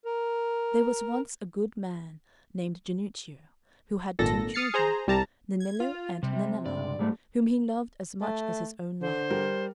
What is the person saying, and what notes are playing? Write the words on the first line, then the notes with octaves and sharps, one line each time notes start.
There was once a good man named Jannuccio, who had two children, Nennillo and Nennella, whom he loved as much as his own life.
A#4
G#1 A#2 A4 A#6
D#6 F6 A6 C7 C#7
G#4 C5 A#5
C2 G3 A5 A#5
G#6
F4
C3 G3
C#2 G2 D5
G#2 G3 A3
A3
D3 C5
G3 A#4